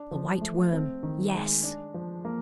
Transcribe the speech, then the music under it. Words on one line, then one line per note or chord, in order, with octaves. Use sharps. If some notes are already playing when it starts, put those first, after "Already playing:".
"The White Worm--yes!"
Already playing: D4
F3
A3
C4
D#3
G#3
D4
F3
A#3